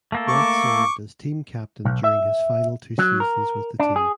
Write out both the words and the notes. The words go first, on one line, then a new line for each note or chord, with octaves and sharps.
White served as team captain during his final two seasons with the team.
A3 A#3 A4
C#6 D6
B1
E5
F#3
A#4
D4
G#4